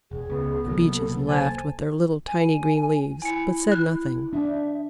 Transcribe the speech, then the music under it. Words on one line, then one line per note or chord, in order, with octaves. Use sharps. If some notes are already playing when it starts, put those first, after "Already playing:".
The Beeches laughed with their little, tiny green leaves, but said nothing.
E1 G#4
C#2 C#3 B3
C2 F#3 A#3 A4
A4
C5 G#5 A5
G#5
E4 G#5 C#7
F#6
D4 E5